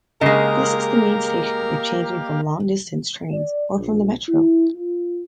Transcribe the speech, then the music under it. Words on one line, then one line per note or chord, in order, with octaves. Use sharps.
This is the main station if changing from long-distance trains or from the metro.
C#3 G#3 A#3 G4 A#4 D#5 F5
D5
A#1
E4
F4